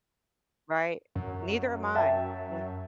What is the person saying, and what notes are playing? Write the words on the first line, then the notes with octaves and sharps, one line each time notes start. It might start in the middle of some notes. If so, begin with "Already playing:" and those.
Right. Neither am I. Yeah.
F#2
E5 G5 A5